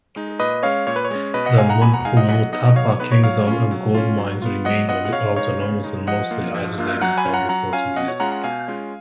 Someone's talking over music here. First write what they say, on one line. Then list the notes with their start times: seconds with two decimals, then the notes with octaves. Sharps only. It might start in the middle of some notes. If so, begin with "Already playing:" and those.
The Munhumutapa Kingdom and gold mines remained autonomous and mostly isolated from the Portuguese.
0.16 G#3 D#4
0.39 A#2 B4 D#5
0.63 G#3 C#4 C#5 F5
0.87 A#2 C#5
0.96 B4
1.05 C#5
1.11 G#3 C#4
1.34 B2 B4 D#5
1.46 D#5 F#5
1.58 G#3 D#4 F5 G#5
1.70 F#5 A#5
1.81 B2 G#5 B5
1.94 F#5 A#5
2.05 G#3 D#4 F5 G#5
2.17 D#5 F#5
2.28 F#3 D#5 F#5
2.52 B3 D#4 D#5 F#5
2.76 F#3 C#5 F5
2.88 C#5
3.00 B3 D#4 B4
3.12 C#5
3.23 F#3 C#5 F5
3.47 C#4 F4
3.71 F#3
3.94 C#4 F4
4.18 F#3
4.42 B3 F4
4.65 F#3 D#5 F#5
4.89 B3 F4 D#5 F#5
5.05 F#5
5.13 C#3 C#5 F5
5.36 G#3 D#4 C#5 F5
5.60 C#3
5.84 G#3 D#4
6.07 F3 D#5 F#5
6.31 A#3 F4
6.55 F3
6.78 A#3 F4
7.01 F#3 F#5 A#5
7.17 G#5 B5
7.25 C#4 F4
7.34 F#5 A#5
7.49 F#3 F#5 A#5
7.73 C#4 F4 F5 G#5
7.96 B2 D#5 F#5
8.08 C#5
8.20 G#3 C#4 F4 F#5 A#5
8.32 F#5 A#5
8.44 B2 F5 G#5
8.68 G#3 C#4 F4